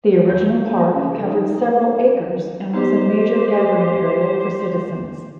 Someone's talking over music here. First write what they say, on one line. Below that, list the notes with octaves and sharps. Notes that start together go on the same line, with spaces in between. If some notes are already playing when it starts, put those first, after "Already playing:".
The original park covered several acres and was a major gathering area for citizens.
F#4
G6
A4
A#3
C#3
A3
D#4
A3
B3 D#4 G4 C5